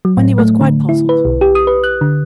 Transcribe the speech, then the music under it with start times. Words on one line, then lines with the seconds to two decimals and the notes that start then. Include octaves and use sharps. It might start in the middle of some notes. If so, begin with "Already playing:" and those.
Wendy was quite puzzled.
0.05 F#3
0.17 A2
0.38 A3
0.61 D3
0.89 E4
1.09 B4
1.25 B1
1.41 G4
1.55 D#6
1.67 B4
1.84 F#6
2.01 D3